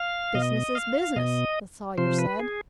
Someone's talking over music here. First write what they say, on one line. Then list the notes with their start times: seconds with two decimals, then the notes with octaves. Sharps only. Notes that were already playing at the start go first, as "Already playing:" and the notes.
"Business is business," the Sawyer said.
Already playing: F5
0.35 B2 D#5
0.75 F5
1.16 B2 D#5
1.98 C3 F3 C5
2.19 B4
2.39 G#4